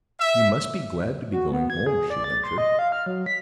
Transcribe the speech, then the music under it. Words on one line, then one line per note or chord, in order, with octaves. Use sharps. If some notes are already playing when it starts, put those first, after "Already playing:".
"You must be glad to be going home," she ventured.
E5
F#4
B3
G#6
G#4
D5
A6
C6
D#5
F5
F6
F#3
B6